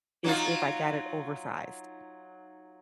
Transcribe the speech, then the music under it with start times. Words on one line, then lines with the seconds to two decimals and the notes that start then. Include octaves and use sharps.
is if I got it oversized,
0.24 F#3 D#4 F4